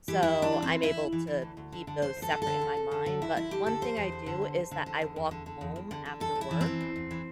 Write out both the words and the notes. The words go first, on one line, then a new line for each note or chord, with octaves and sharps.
so I'm able to keep those separate in my mind, but one thing I do is that I walk home after work,
E3 G4
E2 E4
E2 D4
E3
C4
E3
E2 E4
E2
E3
E3
D2
D2
D3
D3
D2 C5
D2
A4
D3
A4
D3
D2
D2
D3
D3
D2 E4
D2 E4
D3 G4
D3 A4
E2 C5
E2
D3
D3
E2
E2
D3
D3
E2
E2
D3
D3
E2
E2
D3
D3
E2 A4
E2
E4
E3
C4
E3
E2
E2
E3